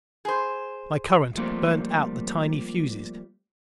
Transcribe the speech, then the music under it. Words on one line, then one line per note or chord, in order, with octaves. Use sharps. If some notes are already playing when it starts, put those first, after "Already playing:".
My current burned out the tiny fuses.
G#4 C5
F3 G3 A3 A#3 C4 F4